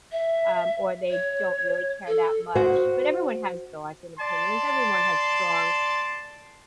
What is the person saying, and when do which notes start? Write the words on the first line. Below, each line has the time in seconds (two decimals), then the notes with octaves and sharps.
um, or they don't really care that much, but everyone has thoughts and opinions, everyone has strong,
0.12 E5
1.11 C#5
2.07 A4
2.55 F#4 C5
4.19 D5 A5 C6